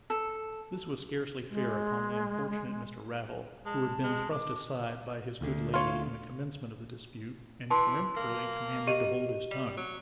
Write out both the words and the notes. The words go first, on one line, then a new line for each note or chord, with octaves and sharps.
This was scarcely fair upon the unfortunate Mr. Raddle, who had been thrust aside by his good lady in the commencement of the dispute, and peremptorily commanded to hold his tongue.
A4
G#3
G#3 A5
G#3
D#3 D6
D2 D3
F4 C#5
E3 A5 C6
A#3
G4 D#5 D#7
G3
F#3